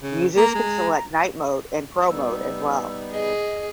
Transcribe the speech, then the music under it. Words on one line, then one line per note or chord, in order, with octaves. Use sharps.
Users can select Night mode and Pro mode as well.
C#3
A#3 A#5
G#3
G3 B3 D#4 E6
G#4 D#5